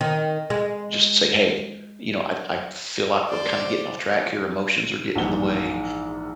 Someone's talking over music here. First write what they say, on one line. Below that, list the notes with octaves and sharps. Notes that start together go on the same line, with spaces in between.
just say, "Hey, you know, I I feel like we're kinda getting off track here, emotions are getting in the way,
D#3
G#3
C5 D5
A#1 G#2 E3 F#5 G7